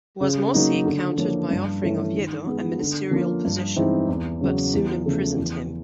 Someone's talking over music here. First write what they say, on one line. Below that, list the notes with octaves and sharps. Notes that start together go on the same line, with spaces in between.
Wasmosy countered by offering Oviedo a ministerial position, but soon imprisoned him.
C#3
F#3 A#3 D#4
D3
F3 A#3 C#4 E4
G2
E3 A3 C#4
D#3
G#3 B3
D3
F3 A#3 C#4 F4
G2
E3 G#3 C4 D#4
E2
C#3 F#3
E2
C#3 F3 A3
E2